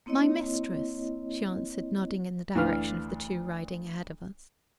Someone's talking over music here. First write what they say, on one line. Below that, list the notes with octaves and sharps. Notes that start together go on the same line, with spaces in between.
"My mistress," she answered, nodding in the direction of the two riding ahead of us.
A#3 C4 E4 C#5 D#5
D2 E3 D4 B4 F5 F6